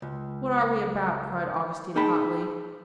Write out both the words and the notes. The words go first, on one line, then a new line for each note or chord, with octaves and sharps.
"What are we about!" cried Augustine hotly.
C#2
D#4 G#4 G5 A5 B5